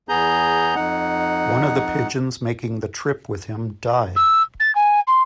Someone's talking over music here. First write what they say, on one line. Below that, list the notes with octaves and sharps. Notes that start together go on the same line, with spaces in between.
One of the pigeons making the trip with him died.
E2 B3 G#4 A#5 G6
F2 D#4 F#5
E6
A6
G#5
C6